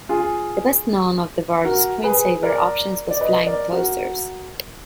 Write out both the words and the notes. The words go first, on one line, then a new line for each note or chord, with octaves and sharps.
The best-known of the various screensaver options was Flying Toasters.
F4 G#4
F#4 A#4
G#4 B4
A#4 D5
D5
B4 D#5
A#4 D5
F#4 A#4